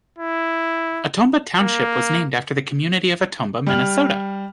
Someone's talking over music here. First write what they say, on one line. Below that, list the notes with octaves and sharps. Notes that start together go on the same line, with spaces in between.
Automba Township was named after the community of Automba, Minnesota.
E4
A#3
G3 F6 F#7